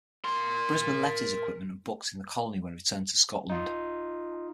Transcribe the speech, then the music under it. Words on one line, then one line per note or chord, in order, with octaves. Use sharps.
Brisbane left his equipment and books in the colony when he returned to Scotland.
A#4 C6
D#4 F4